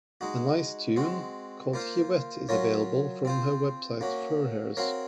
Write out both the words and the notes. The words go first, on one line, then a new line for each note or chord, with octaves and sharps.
A nice tune, called Hiwet is available from her website feuerherz.
G#3 D#4 F#4
G#3 C4 F#4
A#3 F4 C5 F5
F#3 C#4 F4 A#4 C#5
C4 F4 C5
A#3 C#4 F#4
C4 F#4 A#4 C#5 F5